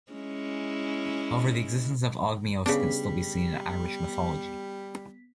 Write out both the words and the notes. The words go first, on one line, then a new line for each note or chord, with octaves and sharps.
However the existence of Ogmios can still be seen in Irish mythology.
G#3 C#4 E4
C#3 G3 B3 D4 B6